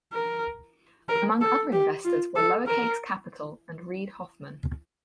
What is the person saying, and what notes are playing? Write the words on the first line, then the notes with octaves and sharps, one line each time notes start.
Among other investors were Lowercase Capital and Reid Hoffman.
A#4
A#4
A4
G4
F4
A4
A#4